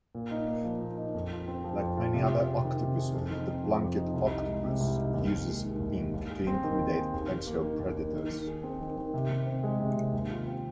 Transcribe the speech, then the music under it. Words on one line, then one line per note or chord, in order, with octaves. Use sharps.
Like many other octopuses, the blanket octopus uses ink to intimidate potential predators.
A#2
D#4
A#3
F3
A#2
D#4
F2
F4
C4
F3
F2
F4
C3
G#4
C4
D#3
C3
G#4
F2
D#4
C4
F3
F2
D#4
C2
D#4
G#3
C3
C2
D#4
D#2
D#2
G#3
D#3
D#2
D#2
D#2
G#4
C4
D#3
D#2
G#4
D#2
D#2
A#3
D#3
D#2
D#2
D#3
D#3
G#4
C4
D#3
D#3
C3
C3
C4
G#3
C3
C3
D#2
F4
C4